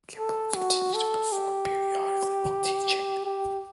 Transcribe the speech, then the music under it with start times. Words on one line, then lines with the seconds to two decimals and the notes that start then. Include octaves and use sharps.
Kimball continued to perform periodically while teaching.
0.18 A4
0.56 F#4
0.94 A4
1.32 G4
3.25 G4